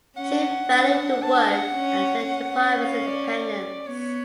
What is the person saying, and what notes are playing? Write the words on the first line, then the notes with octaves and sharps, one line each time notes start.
She valued the work and her departments Independence.
C#4 F#5
D4
D4 A5
F#5
C#4
C#4
F5
D5
B3 C#5